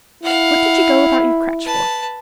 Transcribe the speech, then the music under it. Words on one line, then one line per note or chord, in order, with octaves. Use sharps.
What did you go without your crutch for?
E4 F5 F#5
B4 A5